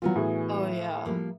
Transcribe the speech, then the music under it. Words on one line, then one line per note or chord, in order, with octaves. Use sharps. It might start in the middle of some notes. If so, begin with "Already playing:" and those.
Oh, yeah.
E3 F#3 B3 F4 F#4
A2 G#4
F3 G3 A#3